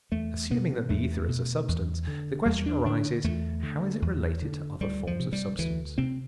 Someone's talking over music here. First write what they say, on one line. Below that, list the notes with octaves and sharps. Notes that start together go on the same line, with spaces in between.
Assuming that the ether is a substance, the question arises how is it related to other forms of substance?
E2 A3
B2 B3
E2 A3
B2
E2
D3
E2 G3
D4
D3 D4
E2 A3
D3
E2
D3
D2 G3
F3
C3
G3
D2 E3
C3 C4